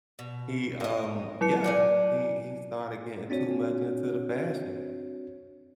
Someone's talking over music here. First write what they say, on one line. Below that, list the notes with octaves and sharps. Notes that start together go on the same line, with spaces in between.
he, um, yeah. He he started getting too much into the fashion,
B2
A#4 D#5
F#3 E4 C#7
A#3 D4 G#5
C4 D4 F#4 C#5